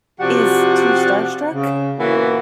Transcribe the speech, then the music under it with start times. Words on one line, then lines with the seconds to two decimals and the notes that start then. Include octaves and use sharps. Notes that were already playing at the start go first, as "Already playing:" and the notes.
is too starstruck
0.20 C3 F3 F#4 G4 D5 F#5
1.52 C#3
1.99 A#2 E3 A#3 B3 F#4